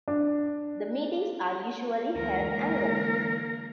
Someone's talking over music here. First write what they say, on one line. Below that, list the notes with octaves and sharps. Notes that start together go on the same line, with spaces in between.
The meetings are usually held annually.
D4
D2 D3 E3 G#3 A#4
A#3 A#4